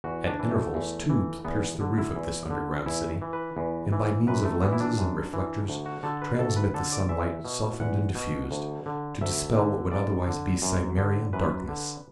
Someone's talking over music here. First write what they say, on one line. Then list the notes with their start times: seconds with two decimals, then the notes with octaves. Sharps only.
At intervals tubes pierce the roof of this underground city, and by means of lenses and reflectors transmit the sunlight, softened and diffused, to dispel what would otherwise be Cimmerian darkness.
0.04 E2 F#4
0.27 D4
0.39 E3
0.51 A3
0.74 E2
1.10 E3
1.45 E2 B3
1.80 D3
1.98 E4
2.15 E2
2.50 D3
2.86 E2 E4
3.22 E3
3.33 B4
3.57 E2
3.92 E3
4.27 F#2 B4
4.45 A3
4.63 E3 B3
4.73 E4
4.80 D4
4.98 F#2
5.33 E3
5.68 D2
5.86 F#4
6.03 D3 A4
6.22 B4
6.39 D2 A4
6.56 B4
6.74 D3 A4
6.92 D5
7.09 E2 E5
7.45 B2
7.80 E2 F#5
8.15 B2
8.51 D2
8.86 D3
9.21 D2 E5
9.57 D3
9.92 F#2 D5
10.27 D3
10.62 F#2
10.98 D3
11.33 F#2 B4
11.68 D3